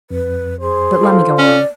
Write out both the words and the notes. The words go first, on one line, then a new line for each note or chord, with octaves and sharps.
But let me go on.
F2 B4
G#4 C5
F4 A4 F5
C#4 D5